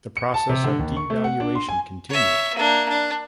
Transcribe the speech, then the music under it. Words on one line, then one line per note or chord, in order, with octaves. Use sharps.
The process of devaluation continued.
C#7
A5
C3
D3
D#2
C#6
A3
F#5
D4
C6
G#5
C#5 E5
A#3 D4
D4